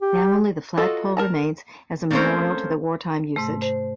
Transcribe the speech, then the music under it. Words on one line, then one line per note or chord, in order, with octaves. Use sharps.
Now only the flag pole remains as a memorial to the wartime usage.
G4
F4 F#4 A4 D#5
A#4 A5 A#5
A3 A#3 C4 C#4 A#4 C5
G#2 C3 A3
C5